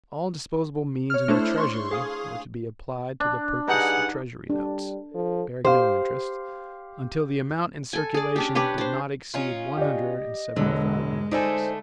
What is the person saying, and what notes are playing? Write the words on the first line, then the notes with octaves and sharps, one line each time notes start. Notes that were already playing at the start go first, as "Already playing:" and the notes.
All disposable means in the Treasury were to be applied to the purchase of Treasury notes, bearing no interest, until the amount in circulation did not exceed one hundred and seventy-five millions.
C#5 F6
A3 D4 E4 A4 C5
C6 C#6
G#4 F5 D#6
D4
G2 D#4 G#4 F#5
G3 D4
F3 A4
G4 C5 F5
A4 G#5
G#4 D5
C#4 D4 G4
D4 G4 B4 C#5
D4 C5
C#4 D#4 F4
G4 D5 D#5
E1 D3 F#3 G#3
D3 A3 D#4 A4 C5 G#5